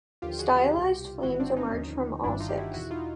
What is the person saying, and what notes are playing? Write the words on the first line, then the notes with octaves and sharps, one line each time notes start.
Stylized flames emerge from all six.
D#2 D3 F3 F4 G4
F#4 G#4
F4 G4
C2 B2
A1 G#2 D#3 E4 F#4
C4 D4
C#4 D#4
D#2 D3 F3
G1 G2 D#3 D4 E4
D#4 F4
G4
E4 F#4
E2 B2 E4 F#4
D#4 F4